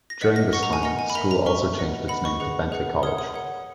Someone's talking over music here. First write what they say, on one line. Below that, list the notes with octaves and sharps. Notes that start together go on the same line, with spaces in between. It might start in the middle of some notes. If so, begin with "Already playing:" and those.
During this time, the school also changed its name to Bentley College.
A#6
B4 D#5 F#5 B6
A#6
A#4 D#5 F#5 C#6
A#5
G#5
A#4 D#5 F#5 A#5
G#5
B5
A#4 E5 A#5
A#5
A#4 E5 C#6
B4 D#5 F#5
B4 D#5 F#5 B5
C#6
G#4 B4 F#5
G#4 B4 F#5
A#4 C#5 F#5 D#6
D#6
A#4 C#5 F#5